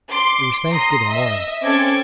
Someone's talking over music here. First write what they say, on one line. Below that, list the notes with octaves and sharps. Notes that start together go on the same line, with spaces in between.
It was Thanksgiving morning.
C6 D6
A#5 C6 D#6 C7
D#5 E5
C4 C#4 A4 D6 G#6